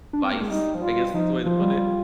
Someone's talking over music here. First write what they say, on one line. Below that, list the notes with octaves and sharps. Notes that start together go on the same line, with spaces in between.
vice, I guess is the way to put it,
D4
C4
A#3
G#3
G3 D#4
F3
G3 F4
F3 D#4
F3 F4
G3
G3